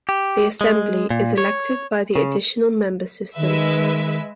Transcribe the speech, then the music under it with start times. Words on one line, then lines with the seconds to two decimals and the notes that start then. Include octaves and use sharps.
The Assembly is elected by the Additional Member System.
0.09 G4
0.61 G#3
1.10 A#2
1.38 C#5
2.16 C#3
3.37 D#3 G#3 B4 E5